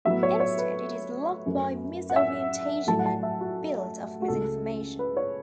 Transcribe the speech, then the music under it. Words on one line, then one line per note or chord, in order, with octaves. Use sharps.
Instead, it is locked by misorientation and built of misinformation.
A2 F#3 B3 E5
C#5
C#5
B4
F#2 F#3 A3
F#5
E5
A2 F#3 A3 A5
F#5
A5
E5
F#4
F#4
C#2 C#3 A3 A4
B4
C#5